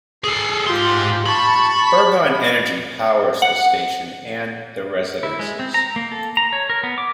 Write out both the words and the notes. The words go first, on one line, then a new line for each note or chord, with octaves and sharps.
Ergon Energy powers the station and the residences.
G#4 A4 C7
G#2 F4 G4 C6
A5 B5 C#6
F#5
E4
G#3
C4
A#5
A#3
A4
A#5
C#5
A#4
B3
D6